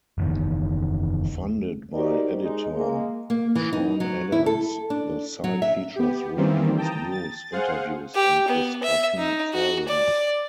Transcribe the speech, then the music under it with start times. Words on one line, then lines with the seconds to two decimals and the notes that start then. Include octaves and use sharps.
Founded by editor Sean Adams, the site features reviews, news, interviews, and discussion forums.
0.18 F#1 E2 D#3
1.95 D#4 F#4 G4 A#4 C5 D5
2.41 G#3 D#4
2.74 G#3 A#3
3.30 A#3
3.55 E3
3.73 D#4
4.00 F#3
4.32 E4
4.46 A4
4.90 D4
5.44 F#3
5.62 E5
5.96 B3 G4
6.37 D#3 E3 G3 A#3 C4
6.77 G5 A5 A#5 D#6
7.12 A6
7.52 G#4 C5 F5 F#5
8.15 G4
8.48 B3
8.83 E5
9.18 D#4
9.53 F#4
9.88 D5